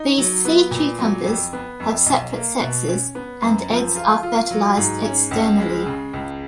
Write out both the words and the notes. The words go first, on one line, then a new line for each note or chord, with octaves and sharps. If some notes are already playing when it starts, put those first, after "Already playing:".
These sea cucumbers have separate sexes, and eggs are fertilized externally.
Already playing: D#4
F#3
B3
A#2
F#3
F2
B3
F2
B1
A#3
B2
C#4
B3
F#2
F3
F4
F4
F#3
G#2
C#4
C#2
G#3
C#3
C#2